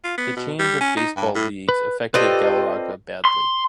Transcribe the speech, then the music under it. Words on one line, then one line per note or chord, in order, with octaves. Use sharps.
The change of baseball leagues affected Galarraga badly.
F4
B3
B2
G3
C#4
D#4
G2
A2
B4
C4 F4 G4 A4 B4 D5 D#5
C6